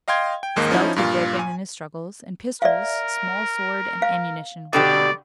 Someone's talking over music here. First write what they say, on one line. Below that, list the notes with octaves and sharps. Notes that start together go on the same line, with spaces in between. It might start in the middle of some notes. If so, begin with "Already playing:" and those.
His belt had broken in his struggles, and pistols, small sword and ammunition were gone.
D#5 F5 G5 C6 G#6
G5
A1 D#2 G#2 A#3 D#5
F3 C#4 D#4 E4
G2 A#2 F4
G#5
A#4 D5 E5 F5
F5
B2 D3 G4 D5